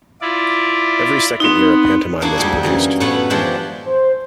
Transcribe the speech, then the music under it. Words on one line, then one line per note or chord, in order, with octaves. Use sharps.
Every second year a pantomime is produced.
E4 F4 D5
B3 C4 D#4
A#3 D4 E4 F#4 G#4 A4
F2 G3 G#3 G#4
F#2 E3 D#5
A2 A3 B3 B4 C#5 F#5
E3 F3 G#3 D4 F#4 G4
C5